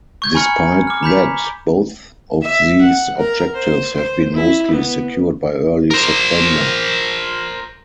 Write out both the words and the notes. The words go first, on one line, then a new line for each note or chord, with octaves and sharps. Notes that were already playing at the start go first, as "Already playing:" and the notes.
Despite that, both of these objectives have been mostly secured by early September.
C#6 G6 G#6
G#5 A#5 B5 C#6 F6 C#7
D6 F6
A#5 B5 G6 B6
E5
F#5
A#4
C5
C5
E4
B3
A#4 C5